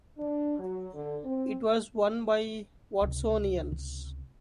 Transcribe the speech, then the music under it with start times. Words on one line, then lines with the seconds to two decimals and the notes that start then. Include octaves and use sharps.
It was won by Watsonians.
0.18 D4
0.59 F#3
0.94 D3
1.25 C4
3.01 C#2 C3